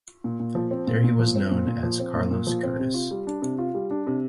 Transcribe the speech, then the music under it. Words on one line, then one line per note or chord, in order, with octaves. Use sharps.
There he was known as Carlos Curtiss.
A#2
A#2
F3
C4
A#2
A#2
F3
C4
A#2
A#2
F3
C4
A#2
A#2
F3
C4
C3
F4
G3
D4
C3
F4
G3
D4
C3